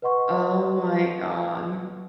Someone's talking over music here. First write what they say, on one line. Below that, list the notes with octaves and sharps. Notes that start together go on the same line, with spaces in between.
Oh my god.
B4 D#5 F#5 C6 C#6